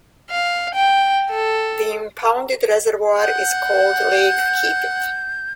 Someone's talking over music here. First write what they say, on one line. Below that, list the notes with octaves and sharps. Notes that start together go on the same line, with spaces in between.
The impounded reservoir is called Lake Keepit.
F5
G5
A4
F#5 G6